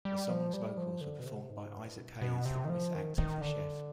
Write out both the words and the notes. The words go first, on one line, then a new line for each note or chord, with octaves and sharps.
The song's vocals were performed by Isaac Hayes, the voice actor for Chef.
G3
F3
G3
F3
D3
B2
C3
G#2
G2
B2
B2
C3
D#3
F3
D#3
D#3
D3